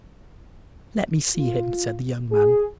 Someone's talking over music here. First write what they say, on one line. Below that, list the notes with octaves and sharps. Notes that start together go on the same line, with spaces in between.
"Let me see him," said the young man.
F4
G#4